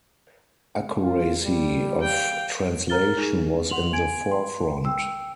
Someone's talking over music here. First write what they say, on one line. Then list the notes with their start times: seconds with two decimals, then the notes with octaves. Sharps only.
Accuracy of translation was in the forefront.
1.01 F4
1.44 G3
2.02 F5 G5
2.89 A#4 A#5 F6 A6 G7
3.17 D#4 G#4
3.69 F#5 C6 F7 F#7
3.93 G#5 G#6 D7
4.31 C6
4.85 G5 E6